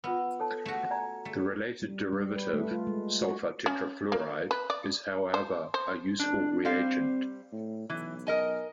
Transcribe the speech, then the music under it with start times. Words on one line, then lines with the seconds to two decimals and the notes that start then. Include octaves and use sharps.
The related derivative, sulfur tetrafluoride is however a useful reagent.
0.04 B3 F4 B4 E6
0.40 A4 C#5 A5
0.65 A3 F#4
0.91 D5 G#5 A#5
1.25 A3
1.82 G3
2.13 G3
2.36 B4
2.53 A3
2.71 F4
2.87 G#3
3.21 F#4
3.66 C#4
4.12 A#3
4.51 B4
4.70 D5
5.34 C5
5.74 C5
6.19 F1 D4
6.65 G3 C4 C5 F5
7.52 A2
7.90 B1 E3
8.27 A#4 D#5 G#5